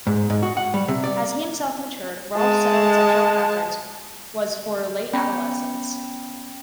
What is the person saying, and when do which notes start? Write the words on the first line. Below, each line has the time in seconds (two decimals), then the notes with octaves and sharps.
As he himself matured, Rolfe's settled sexual preference was for late adolescents.
0.07 G#2
0.30 G#2
0.43 F#4
0.57 F#5
0.74 G3
0.88 C3
1.04 D5
2.37 G#3 A5
5.13 B3 C#4 G5 B5